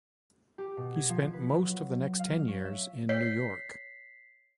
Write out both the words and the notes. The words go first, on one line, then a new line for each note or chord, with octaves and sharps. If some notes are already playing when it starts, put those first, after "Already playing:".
He spent most of the next ten years in New York.
G4
B2
G#6
F3
B4
F#3
F5
C#4
E5
C#5 B6 C7